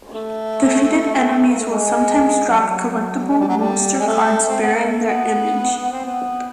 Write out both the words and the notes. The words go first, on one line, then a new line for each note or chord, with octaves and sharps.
Defeated enemies will sometimes drop collectible Monster Cards bearing their image.
A3
A#3
A3
G#3
F#3
G3
F#3
G#3
G3
F#3
G3
G#3
A3
C4
B3
A#3
A3
B3
C4
B3